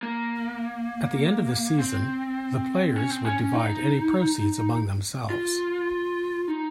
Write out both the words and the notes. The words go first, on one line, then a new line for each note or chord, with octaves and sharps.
At the end of the season, the players would divide any proceeds among themselves.
A#3
C4
C#4
C4
C#4
C#4
D#4
F4
D#4